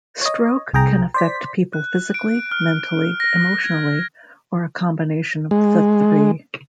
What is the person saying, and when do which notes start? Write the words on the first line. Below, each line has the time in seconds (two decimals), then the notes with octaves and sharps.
Stroke can affect people physically, mentally, emotionally, or a combination of the three.
0.21 C#5 D#5
0.74 C2 G#4 G5 A#5
1.14 C5 D5 B6
1.73 F#6
2.14 D7
2.52 F6
3.20 A#6
3.64 G#6
5.51 G#3